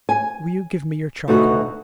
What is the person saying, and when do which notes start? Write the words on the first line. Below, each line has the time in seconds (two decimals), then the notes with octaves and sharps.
Will you give me your charcoal?'
0.09 G#5
1.28 D2 B2 A3 D#4 F#4